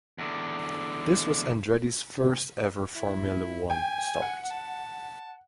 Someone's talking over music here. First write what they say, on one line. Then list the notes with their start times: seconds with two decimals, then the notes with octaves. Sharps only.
This was Andretti's first ever Formula One start.
0.18 E2 D3
2.95 E4
3.70 G5 G#5
4.22 F#5
4.51 A5